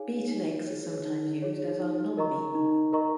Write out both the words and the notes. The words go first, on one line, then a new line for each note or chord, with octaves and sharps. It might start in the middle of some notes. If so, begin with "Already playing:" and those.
Beaten eggs are sometimes used, as are non-beaten.
Already playing: D#4 G#4 C#5 F5 G#5
D#4
G#4 C#5
D#4
G#4 C#5
D#4
A#4 D#5 A#5 C#6
D#4
A#4 D#5 A#5 C#6